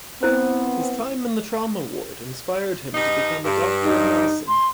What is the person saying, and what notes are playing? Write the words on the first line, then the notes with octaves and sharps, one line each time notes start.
His time in the trauma ward inspired him to become a doctor of medicine.
B3 C4 E4 C5
G2 D#4
G2
D#4
C6